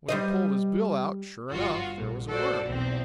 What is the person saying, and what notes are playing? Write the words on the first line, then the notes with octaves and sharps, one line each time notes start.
When he pulled his bill out, sure enough, there was a worm.
G3 C5 D#5
G1 G2 F4 F#4
A#1
F#4 A4 C5 D5
B1 E2 C4